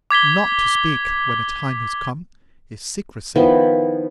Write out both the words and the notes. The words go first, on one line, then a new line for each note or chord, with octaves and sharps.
Not to speak when the time has come is secrecy.
D6 G#6 B6 G7
D#3 F3 B3 E4